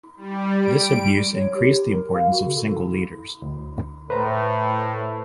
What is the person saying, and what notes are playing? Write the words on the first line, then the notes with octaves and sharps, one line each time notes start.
This abuse increased the importance of single leaders.
G3
D7
C#5
G4
A#4
F5
F#4
C#3
A4
D2
A2 B4 C5 A#5